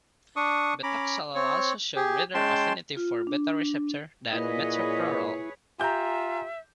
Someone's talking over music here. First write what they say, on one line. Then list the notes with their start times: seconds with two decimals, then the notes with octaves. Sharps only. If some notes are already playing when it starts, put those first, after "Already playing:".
Betaxolol also shows greater affininty for beta receptors than metoprolol.
0.36 D4 C#6 D#6
0.83 C#4 A#5 B5 D6
1.35 C4 C#5
1.96 G4 G#4
2.34 G#3 C#4 G5 A5 C6
2.97 F4
3.27 D4
4.32 A#2 E4 G#4 B4 C#5 D#5
5.80 F4 G4 E5 G#5 A#5 G6